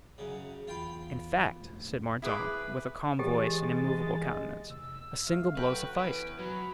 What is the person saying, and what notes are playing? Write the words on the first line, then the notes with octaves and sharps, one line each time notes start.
"In fact," said Mordaunt, with a calm voice and immovable countenance, "a single blow sufficed."
F#2 C#3
E2 F4 G5 B5
B1 F2 A3
E4 G#4 B4 D6
E3 G#3 G4 A4 D#5 G5 A6
F1 E6
A2 A3 F5
D3 F#3 F#4 B4 G5
E3 B3 C#4 B4 D7
F#3 B5